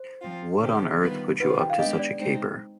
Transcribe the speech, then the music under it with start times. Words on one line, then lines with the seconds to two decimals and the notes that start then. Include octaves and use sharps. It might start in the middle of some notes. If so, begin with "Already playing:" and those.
What on earth put you up to such a caper?
Already playing: C5
0.21 F3 C4 F4
0.61 D3 F3 C4 G4
1.01 D#3 G3 B3 F4 B4
1.40 D#3 G3 B3 F4 B4
1.50 C5
1.59 G5
1.70 F5
1.79 G#3 B3 D4 G4 D#5
1.99 D5
2.19 G#3 C4 D#4